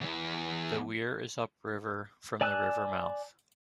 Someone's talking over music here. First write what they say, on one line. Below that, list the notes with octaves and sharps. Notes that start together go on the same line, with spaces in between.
The weir is upriver from the river mouth.
E2 E3
D5 G#5 A5 E6 F#6